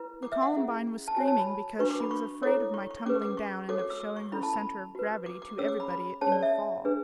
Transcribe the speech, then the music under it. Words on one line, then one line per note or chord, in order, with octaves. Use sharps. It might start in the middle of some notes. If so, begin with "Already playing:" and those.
The Columbine was screaming because she was afraid of my tumbling down and of shewing her centre of gravity to everybody in the fall.
Already playing: E4 B4
D6
E5
F#5
C#4 E4 G#4
A5
F#4 C#5 G#5
A5
B5
D4 F#4 B4 C#6
D6
B5
C#6
E4 A4 C#5 D6
C#6
C#6
C#4 G#4 B4 D6
D6
C#6
F#4 A4 C#5 D6
D6
E6
D6
C#6
C#4 E4 A4 B5
A5
B5
F#4 B4
D6
D6
C#4 G#4 C#5 E6
D6
B5
B5
C#4 G#4 C#5 A5
D5
E5
D4 G#4 B4